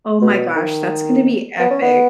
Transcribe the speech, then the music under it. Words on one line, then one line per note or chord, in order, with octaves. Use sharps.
Oh my gosh, that's gonna be epic.
B2
D#3
B3
C#4
B3